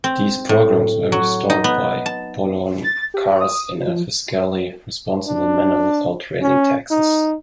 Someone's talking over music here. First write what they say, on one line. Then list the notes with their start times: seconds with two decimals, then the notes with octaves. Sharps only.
These programs were restored by Poloncarz in a fiscally responsible manner without raising taxes.
0.04 C4
0.49 A2
1.12 F#3
1.50 D#4
1.64 B3
2.06 A5
2.84 A6
3.14 G4
3.40 D#6
3.87 F3
5.27 D4
6.42 C#4
6.91 D#4